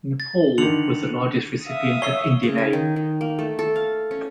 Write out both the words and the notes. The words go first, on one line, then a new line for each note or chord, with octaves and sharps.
Nepal was the largest recipient of Indian aid.
A6
D3 D#3 C#7 F7 F#7
E5 F5 D#6
C#5 E6 C7 G7
C#3
G#5
D#3
D#3
A#3
A3
A4
F5
C#4